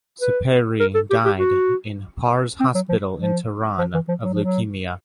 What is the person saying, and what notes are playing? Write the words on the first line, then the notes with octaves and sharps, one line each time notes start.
Sepehri died in Pars hospital in Tehran of leukemia.
B4
A#4
A4
G4
G4
F#4
C4
F#3
F3
F3
F3
E3
F3
F#3
F3
F#3